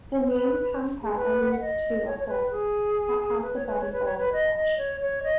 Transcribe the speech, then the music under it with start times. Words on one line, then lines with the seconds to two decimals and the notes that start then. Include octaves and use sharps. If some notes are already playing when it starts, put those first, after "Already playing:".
The name Pampa alludes to a horse, that has the body all threshed.
0.24 B4
1.03 G#4
1.15 B4
1.51 F#5
1.60 D#5
2.06 C#5
2.19 C#5
2.28 B4
2.51 G#4
3.42 B4
3.55 C#5
3.67 B4
3.80 C#5
3.93 B4
4.05 C#5
4.18 B4
4.33 D#5
4.55 D#5
4.78 C#5
5.01 C#5
5.23 D#5